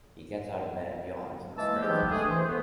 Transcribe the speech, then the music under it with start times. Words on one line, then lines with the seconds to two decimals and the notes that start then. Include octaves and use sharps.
He gets out of bed, yawns, and stretches.
1.57 E3 G#3 A#3 A5 E6
1.83 G#2 E3 F#3 G#3 B3 G4
2.11 A3 D4 G#4
2.28 E3 C5
2.47 A3 B3